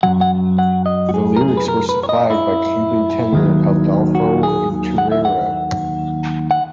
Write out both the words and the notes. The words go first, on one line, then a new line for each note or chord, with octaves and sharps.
The lyrics were supplied by Cuban tenor Adolfo Utrera.
F#2 C#3 F#3 F#5
F#5
F#5
D#5
F#4
G#4
A#4
G#4
B4
A#4
B4
C#5
D#5
E4
D#2 D#3 F#3
F#4
G#4
F#5
E5
F#5
F#5